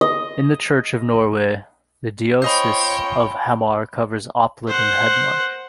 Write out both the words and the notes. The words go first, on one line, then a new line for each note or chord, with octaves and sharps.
In the Church of Norway, the diocese of Hamar covers Oppland and Hedmark.
D#5
C#4 F4 C5 C#5 D#5 G5 B5 G6
C5 F#5